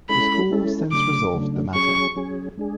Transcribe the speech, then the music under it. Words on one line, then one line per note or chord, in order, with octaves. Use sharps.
The school since resolved the matter.
G#3 C#4 E4 A4 B5
G#3 C#4 E4 A4
C#3 F#3 A3 D4 D6
C#3 F#3 A3 D4
F#3 C#4 G#4 C#6
F#3 C#4 G#4
G#3 D4 G#4